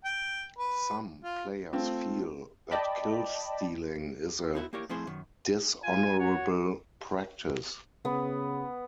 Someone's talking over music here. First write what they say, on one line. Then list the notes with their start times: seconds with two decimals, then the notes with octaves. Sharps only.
Some players feel that kill stealing is a dishonorable practice.
0.05 G5
0.58 B4
1.23 F4
1.73 A3 C4 F4
2.71 D5 D#5 G5 A5 B5 D6
4.54 B3 D#4 E4 F#4
4.73 A#3 E4 G4 A#4 C#5
4.89 F3 A3 C4 E4 G#4 C5
5.07 F#2 D#3
5.84 F4 G#5
6.19 F#4 C#5
8.05 C#3 B3